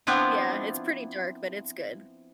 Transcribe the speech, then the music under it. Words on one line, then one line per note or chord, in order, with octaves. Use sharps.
Yeah, it's pretty dark, but it's good.
F3 B3 C4 D4 E4 F4